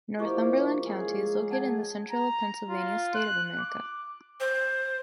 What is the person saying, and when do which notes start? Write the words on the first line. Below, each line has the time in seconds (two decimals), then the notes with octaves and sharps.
Northumberland county is located in the central of Pennsylvania state of America.
0.19 F3 A#3 E4 G4 D#5 C#6
0.85 G#3 C#4 G#4
1.50 F#5 A5 G#6
2.12 A#5
2.70 F4
3.15 F#6
3.59 D6
4.40 C5